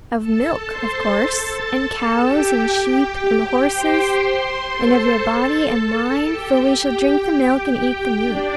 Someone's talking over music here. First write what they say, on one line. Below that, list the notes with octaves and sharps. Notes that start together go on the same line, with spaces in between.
Of milk of course, and cows, and sheep, and horses; and of your body and mine--for we shall drink the milk and eat the meat.
A4 A5
C5 C6
A4 A5
A4 A5
G4 G5
C5 C6
A4 A5
A4 A5
G4 G5
G4 G5
D4 D5